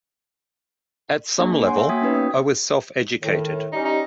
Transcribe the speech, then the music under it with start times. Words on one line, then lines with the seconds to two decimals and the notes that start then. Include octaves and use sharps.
At some level, I was self-educated.
1.38 A#3 C4 D4 G#4
1.64 C#5 F#5 G#5 C6
1.76 E5 F5
1.89 A#3 F#4 G5 D#6 G#6 B6
2.01 B3 C#4 D#4 B4 C#5
2.15 G5 D#6
3.22 A2 D#3
3.72 G3 C#4 D#4 G4
3.85 D#4